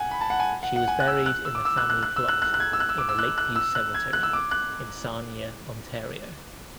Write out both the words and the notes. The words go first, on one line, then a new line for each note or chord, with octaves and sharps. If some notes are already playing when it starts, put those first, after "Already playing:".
She was buried in the family plot in the Lakeview Cemetery in Sarnia, Ontario.
Already playing: F#5 G#5
B5
A5
F#5
G#5
F#5
F#5
G#5
F#6
E6
F#6
E6
D6
E6
F#6
F#6
F#6
E6
F#6
F#6
F#6
G#6
E6
F#6
E6
D6
E6
F#6
F#6
E6
F#6
G#6
F#6
E6
D6
F#6